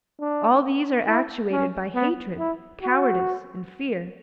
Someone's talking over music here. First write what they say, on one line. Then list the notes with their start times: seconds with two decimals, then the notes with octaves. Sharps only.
All these are actuated by hatred, cowardice and fear.
0.20 D4
1.08 E4
1.51 C#4
1.95 B3
2.39 E4
2.82 F#4